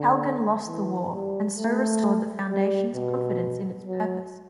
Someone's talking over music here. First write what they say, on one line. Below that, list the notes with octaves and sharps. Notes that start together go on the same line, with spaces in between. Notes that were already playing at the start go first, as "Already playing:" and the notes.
Kalgan lost the war, and so restored the Foundation's confidence in its purpose.
Already playing: D3
E3
G3
A3
G3
B2
F#3